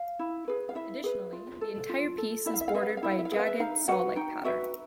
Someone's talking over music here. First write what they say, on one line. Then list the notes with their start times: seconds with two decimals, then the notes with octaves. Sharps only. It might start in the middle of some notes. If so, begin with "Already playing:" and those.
Additionally, the entire piece is bordered by a jagged saw-like pattern.
Already playing: F5
0.19 E4
0.48 G#4 B4
0.69 F5
0.75 E4 E5
1.04 G#4 B4
1.33 F4
1.61 A4
1.89 F4
2.18 A4
2.46 E4 E5
2.54 F5
2.61 E5
2.68 F5
2.74 G#4 B4 E5
2.83 F5
2.89 E5
2.97 F5
3.03 E4 E5
3.11 F5
3.19 E5
3.25 F5
3.32 G#4 E5
3.36 B4 F5
3.47 E5
3.60 D#4 F5
3.88 F#4 B4 F#5
4.16 D#4 G5
4.44 F#4 B4 E5